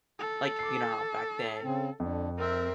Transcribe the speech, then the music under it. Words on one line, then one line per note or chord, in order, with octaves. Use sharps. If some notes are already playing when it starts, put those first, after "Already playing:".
like, you know how back then
A4
D6 C7
C#3 C4
F2 D3
C4 A#4 E5